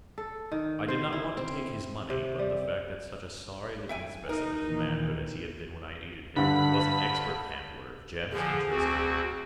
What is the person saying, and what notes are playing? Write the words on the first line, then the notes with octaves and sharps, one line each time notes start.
I did not want to take his money, but the fact that such a sorry looking specimen of manhood as he had been when I aided him, was an expert handler of gems interested me.
A4
D#3
C5
E4
C4
C3
G3
E5 G5 G#5
D#4 A#4
A#2 D#3 E3
G2 D3 B5
D3 F3 G#4
D2 C4 F#4